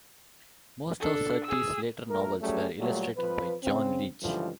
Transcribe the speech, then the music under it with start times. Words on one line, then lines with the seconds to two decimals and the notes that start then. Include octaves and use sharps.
Most of Surtees's later novels, were illustrated by John Leech.
1.00 D4 A4
1.45 G#4 E6
2.10 A#1 A3 A#4
2.41 F#3 G3 A3 C#4 G#4
2.78 A#2 F#3 G3 A3
3.17 F2 F3 B4
3.64 C#3 C4
4.22 C#2 G2 D3 E3 F3